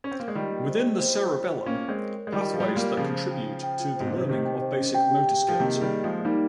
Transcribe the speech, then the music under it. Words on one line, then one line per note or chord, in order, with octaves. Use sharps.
Within the cerebellum pathways that contribute to the learning of basic motor skills.
C#4
C4
A#3
G#3
D#3 G3 F4
A#3
C5
A#3
C5
F4
C5
F4
A#3 C#4 A#4
A#4
G#3 C4
C#5
A#4
G#3
D#3 G3 F4
F4
F3
G3
G#3 F4
G3 A#3
F4
C#3 F3 F4
C5
G5
C5
G5
F4
G#2 C5
A#2
C3 C5
C#3
C3 D#3 G4
G5
C5
C#4
G5
G4
G5
G4
F3
C3 D#3 A#3
G#4
D#3 G3
A#3
F3 G#3 A#3
G#3
G3 A#3 D#4